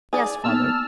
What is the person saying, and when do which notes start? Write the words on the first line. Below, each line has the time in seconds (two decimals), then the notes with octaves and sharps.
"Yes, father."
0.13 G#4 D5
0.44 A#3 B3 D#4 A5 E6 F6